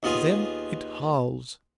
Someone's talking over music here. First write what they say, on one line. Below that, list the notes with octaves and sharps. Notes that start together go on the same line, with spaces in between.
Then it howls!
D#2 B3 F4 G#4